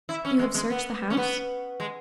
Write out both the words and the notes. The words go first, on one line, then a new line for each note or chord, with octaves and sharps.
"You have searched the house?"
E4
C#4
G#3
G#3
B3
C#4
B3
G#3